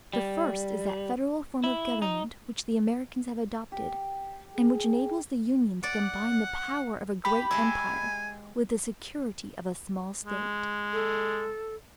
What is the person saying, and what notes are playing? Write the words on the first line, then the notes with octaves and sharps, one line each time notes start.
The first is that Federal form of Government which the Americans have adopted, and which enables the Union to combine the power of a great empire with the security of a small State.
G3
E4
D#4
G4
G#4
D5 F#5
G4 B5
G#3 E5 G#5
G#3
A4